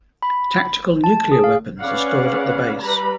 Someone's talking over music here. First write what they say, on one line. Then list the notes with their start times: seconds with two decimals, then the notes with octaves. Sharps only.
Tactical nuclear weapons are stored at the base.
0.22 B5
1.04 A5
1.32 G#4
1.44 F5
1.80 C#4 G#4 B4 D5 F5 F#5
2.82 G3 B4 A#5 B5